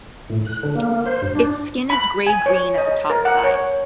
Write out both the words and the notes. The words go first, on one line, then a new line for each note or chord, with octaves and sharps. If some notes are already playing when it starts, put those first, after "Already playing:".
Its skin is grey-green at the top side.
A2
F#6
D3
A#3
A#3
C5
G2
D4
B5
G#5
C#5
D#5
A#4
F#5
C#5